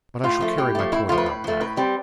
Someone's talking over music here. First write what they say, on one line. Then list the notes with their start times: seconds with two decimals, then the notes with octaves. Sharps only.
But I shall carry my point about that.
0.24 A2 F4
0.40 F3 A3
0.58 A2 G4
0.75 F3 A3
0.92 A2 E4
1.09 F3 A3 F4
1.18 B4
1.26 A2
1.44 F3 A3
1.61 A2 B4
1.77 G3 C4